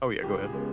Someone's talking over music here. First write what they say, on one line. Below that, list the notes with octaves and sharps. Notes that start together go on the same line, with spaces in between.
oh, yeah, go ahead.
C#2 G4
G#4
C#3 G#3 B3